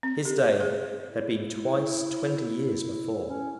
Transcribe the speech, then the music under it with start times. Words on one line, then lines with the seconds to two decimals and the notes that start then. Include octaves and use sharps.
His day had been twice twenty years before.
0.03 C4
0.25 G4
0.44 C5
0.60 G#4
1.10 E4
3.27 C#4